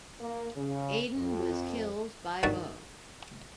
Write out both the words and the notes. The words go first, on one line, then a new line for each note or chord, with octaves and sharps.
Aiden was killed by Bo.
A#3
C#3
F2
G2 D#3 D4 F#4 E5 A5